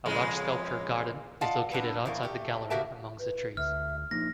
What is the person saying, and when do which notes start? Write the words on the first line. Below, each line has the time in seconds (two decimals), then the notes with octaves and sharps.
A large sculpture garden is located outside the gallery amongs the trees.
0.06 F2 C#3 G#3
1.41 F4 D5 D#5 F5 F#5 A5
1.72 B3 C4 D4
2.05 E2 A2 A#3
2.23 A3 G4
2.70 C#3 F#4 G4 A#4 E5 A5
3.19 B4
3.57 D2 E5 F6
4.11 F3 A#3 D#4 A#6